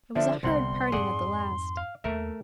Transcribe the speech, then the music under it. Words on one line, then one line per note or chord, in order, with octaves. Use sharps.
It was a hard parting at the last.
D3 F3 D4 E5
C2 D3 B3 C4 F#5 C6
F2 G#2 G#4 D5 F#5
F5
D#2 A3 A#4 E5